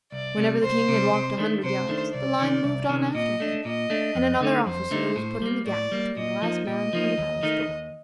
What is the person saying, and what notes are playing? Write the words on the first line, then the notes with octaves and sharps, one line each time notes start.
Whenever the King had walked a hundred yards the line moved on after him, and another officer was put in the gap between the last man and the palace door.
C2 D5
C3 G3
C2 C5
C3 G3
C3
D#3 A3 D4
C3 C5
D#3 A3 D4
C2 D5
C3 D#3
C2
C3 D#3
A#2 D#5
A3 D4
A#2 D#5
A3 D4
F2
D3 A3 D#4
F2 C5
D3 A3 D#4
A2
G3 A#3
A2 D5
G3 A#3
A#2 D#5
F3 A#3 D#4
A#2 D#5
F3 A#3 D#4
D#2
D#3 A3 D#4
D#2